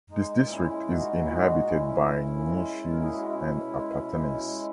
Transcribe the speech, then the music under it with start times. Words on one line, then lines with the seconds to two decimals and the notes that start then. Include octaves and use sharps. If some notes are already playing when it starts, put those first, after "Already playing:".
This district is inhabited by Nyishis and Apatanis.
0.11 G#3 D#4
0.31 A#2
0.51 G#3 C#4 E4
0.70 G#3
0.90 A#2 D#4 F#4
1.10 A#2
1.20 E4
1.30 G#3 D#4 F#4
1.49 A#2
1.69 G#3 C#4 E4
1.89 A#2
2.08 A#2
2.29 A#2
2.48 G#3
2.68 G#3
2.87 A#2 A#4
3.03 G#3 G#4
3.15 F#4
3.27 B2 C#4 E4
3.47 B2
3.67 G#3
3.87 B2
4.06 G#3
4.27 B2
4.46 G#3